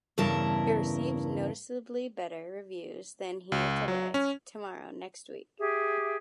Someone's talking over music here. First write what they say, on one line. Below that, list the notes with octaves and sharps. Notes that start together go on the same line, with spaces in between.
It received noticeably better reviews than Here Today, Tomorrow Next Week!
E2 G2 C#3 E4 A#4 A5
C#2
F#3
C#4
G4 G#4 E5